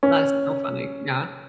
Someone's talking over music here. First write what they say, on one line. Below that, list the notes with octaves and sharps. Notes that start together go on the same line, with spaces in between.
That is so funny, yeah.
C#4